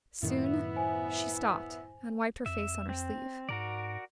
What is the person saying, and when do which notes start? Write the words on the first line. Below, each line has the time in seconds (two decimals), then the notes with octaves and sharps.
Soon she stopped and wiped her face on her sleeve.
0.23 F#2 A2 D#3 B3 E4 E5
0.76 C5 G#5
2.46 F2 E5
2.89 C4
3.49 G#2 F#4 A#4 D5